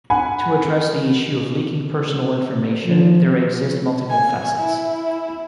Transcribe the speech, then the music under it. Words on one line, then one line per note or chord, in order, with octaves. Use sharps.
To address the issue of leaking personal information there exist multiple facets.
F#5 G#5 B5
F3
G#5
E4